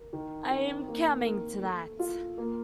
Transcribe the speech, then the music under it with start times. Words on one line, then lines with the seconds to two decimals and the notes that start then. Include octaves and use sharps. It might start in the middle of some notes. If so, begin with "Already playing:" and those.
Iâm coming to that.
Already playing: A#4
0.13 D#3
0.51 C4
0.88 A#3
1.24 A#4
1.62 A3
1.99 F4
2.38 A#3